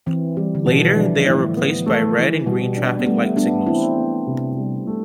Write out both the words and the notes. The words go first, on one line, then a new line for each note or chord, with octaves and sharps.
Later they are replaced by red and green traffic-light signals.
E3 C4
E3 G3
D3
B2 E3
G3
F3 D4
A2
B3
A3
E3
B2 G3
D4
B3
G3 A3
G3 B3 D4
E3 C4 E4
B3
C3
G3
A3